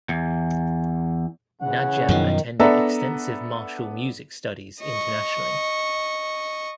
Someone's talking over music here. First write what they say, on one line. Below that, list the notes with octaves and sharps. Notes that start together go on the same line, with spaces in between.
Najem attended extensive martial music studies internationally.
E2
C#3 E3 C#4 F#5
F#2 B2 D#3 F3
B3 D4 A4 E5 A#5
D#5 C#6